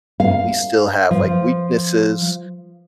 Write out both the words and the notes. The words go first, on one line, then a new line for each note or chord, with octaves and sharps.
we still have, like, weaknesses
F5
F3